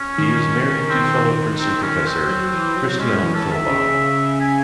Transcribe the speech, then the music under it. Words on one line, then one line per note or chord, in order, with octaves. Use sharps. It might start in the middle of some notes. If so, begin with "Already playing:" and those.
He is married to fellow Princeton professor Christiane Fellbaum.
Already playing: C#4
D#3
C4
C4
C#4
C4
F#3
E3
F#3
C4
G#3 C#4
C#4
E3
A4
D#3
E5
C#3
G#5